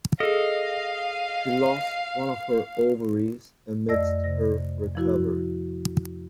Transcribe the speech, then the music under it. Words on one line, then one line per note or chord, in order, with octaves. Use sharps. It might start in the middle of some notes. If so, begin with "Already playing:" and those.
She lost one of her ovaries amidst her recovery.
G#4 A4 D#5 F5
F2 A3 D5 D#5 E6 A#6
C3 A#6
F3 E4 F#4